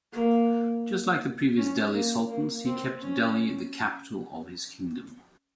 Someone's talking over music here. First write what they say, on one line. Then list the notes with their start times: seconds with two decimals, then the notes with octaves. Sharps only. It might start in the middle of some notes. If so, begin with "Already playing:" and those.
Just like the previous Delhi Sultans, he kept Delhi the capital of his kingdom.
0.12 A#3
1.57 C#4
1.93 A#3
2.29 A#3
2.65 C4
3.02 C#4